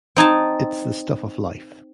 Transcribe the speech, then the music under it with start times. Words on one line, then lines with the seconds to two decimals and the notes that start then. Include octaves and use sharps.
It's the stuff of life.
0.16 C4 D#4 G#5 A5